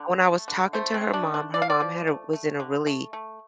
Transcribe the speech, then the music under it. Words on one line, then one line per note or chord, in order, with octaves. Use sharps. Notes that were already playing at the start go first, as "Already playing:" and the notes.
when I was talking to her mom, her mom had a was in a really,
Already playing: D3
A3
D3
A3 C5
C4
A3
D4
D3
D4
F3 D5
F5
D5
F3
A3
A3
D3
A3
A3